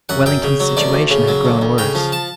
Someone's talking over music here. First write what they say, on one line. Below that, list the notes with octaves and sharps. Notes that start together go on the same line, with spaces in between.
Wellington's situation had grown worse.
F#2 F#5
F#2 G5
C#3
F#3
D2 D5
D2
C#3
F#3
D2
D2
C#3 G5
F3
A5